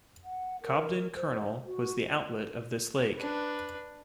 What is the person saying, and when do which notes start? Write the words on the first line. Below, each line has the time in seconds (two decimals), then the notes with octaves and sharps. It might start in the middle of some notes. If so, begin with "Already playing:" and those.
Cobden Colonel was the outlet of this lake.
0.24 F#5
0.62 A#4
1.15 C5
1.67 F#4
3.18 D4 B4